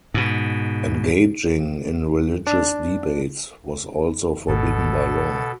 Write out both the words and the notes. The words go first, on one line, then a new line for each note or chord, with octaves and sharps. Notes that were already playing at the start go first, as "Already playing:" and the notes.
Engaging in religious debates was also forbidden by law.
G#2 B2
D4
G#1 B2 A4